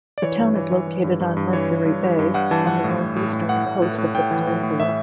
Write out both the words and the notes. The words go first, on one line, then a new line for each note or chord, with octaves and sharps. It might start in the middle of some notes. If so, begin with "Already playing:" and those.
The town is located on Mercury Bay, on the northeastern coast of the peninsula.
D5
E3 C#5
G2
E3
E3
E3
G2
G2
G2
E3 C#5
G2
G2
G2
G2
G2 F#5
E3 A5
G2 F#5
A2
A2
A2
A2
A2 F#5
A2
A2
A2
A2 G5
E3
A2
A2
A2 E5